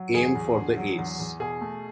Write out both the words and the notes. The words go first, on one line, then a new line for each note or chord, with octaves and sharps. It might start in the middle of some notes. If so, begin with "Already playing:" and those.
Aim for the Ace!
Already playing: F#3
E2 G#4
E2
D3
F#3
E2
E2
B2 G#4
A3